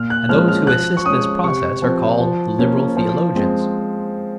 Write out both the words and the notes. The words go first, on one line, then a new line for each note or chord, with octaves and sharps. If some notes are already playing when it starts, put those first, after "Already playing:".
And those who assist this process are called the "liberal theologians."
Already playing: A#2 F6
F#6
F3 G#3 C#4 F6
F6
F3 F#6
C#6
G#3 C#4 D#6
C3 C#6
F3 C4
F3
A#3 C#4
F3
G#3 C4